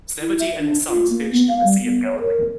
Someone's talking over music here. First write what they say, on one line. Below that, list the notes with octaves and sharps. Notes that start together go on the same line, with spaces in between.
Zebedee and his sons fished in the Sea of Galilee.
E4
E5
D4
F4
A#3
B3
F5
G3
B3
C#5
A#4